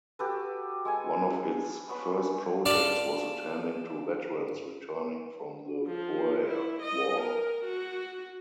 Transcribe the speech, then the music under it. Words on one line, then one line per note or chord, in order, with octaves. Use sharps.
One of its first projects was attending to veterans returning from the Boer War.
F#4 G4 A4 B4
G#3 A4 G#5
B3 C#5 B5
D5 F5 A5 B5 C6
F3
E4
D#5
A#4
F#4